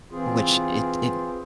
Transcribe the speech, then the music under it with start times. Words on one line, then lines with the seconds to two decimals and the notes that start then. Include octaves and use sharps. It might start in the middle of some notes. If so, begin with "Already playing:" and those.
which it it
0.11 E3 C4 F4 G#4